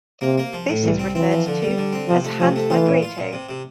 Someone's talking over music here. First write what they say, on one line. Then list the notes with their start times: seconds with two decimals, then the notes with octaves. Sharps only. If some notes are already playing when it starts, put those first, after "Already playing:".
This is referred to as hand vibrato.
0.21 C3 A#3
0.38 A#3
0.53 F3
0.68 A2
0.84 C2 E3
0.99 C4
1.15 E3 C4
1.31 F3
1.46 D3
1.62 G3
1.78 D3
1.93 C4
2.09 C3 F3
2.24 A3
2.40 C3 F3
2.56 A3
2.70 E3 F4
2.87 A#2
3.02 F4
3.18 A#2
3.33 C3
3.49 C3